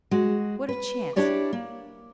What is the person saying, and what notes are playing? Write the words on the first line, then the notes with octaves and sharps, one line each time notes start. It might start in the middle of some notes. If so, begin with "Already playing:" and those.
What a chance!
G#3 F#4
B4
D4 E4 G4 C#5 D5
A#3